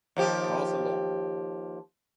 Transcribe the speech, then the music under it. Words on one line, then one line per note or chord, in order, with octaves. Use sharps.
Cars are long.
D#2 F3 G4